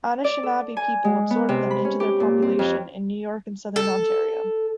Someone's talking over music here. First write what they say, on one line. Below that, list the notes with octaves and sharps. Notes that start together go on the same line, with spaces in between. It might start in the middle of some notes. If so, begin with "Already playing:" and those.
Anishinaabe people absorbed them into their population in New York and southern Ontario.
D5
A4
G#5
G#3
B3
C3
B5
C#4
G4
A#2
C4
F2
A4